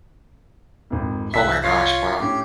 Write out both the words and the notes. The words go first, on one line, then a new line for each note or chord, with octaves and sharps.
Oh my gosh, wow.
G#1 F2
C2 E5 F#6 B6
F4 C#5 C7
A2 C#4 G4